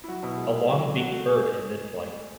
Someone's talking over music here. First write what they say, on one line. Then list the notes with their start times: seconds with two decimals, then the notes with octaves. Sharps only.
A longbeaked bird in midflight.
0.04 E4
0.08 F#3 F#4
0.23 B2 E4
0.38 G#3
0.53 G#3
0.68 F#3
0.83 C#3
0.97 A3 F#4
1.12 A3 F#4
1.27 G#3 G#4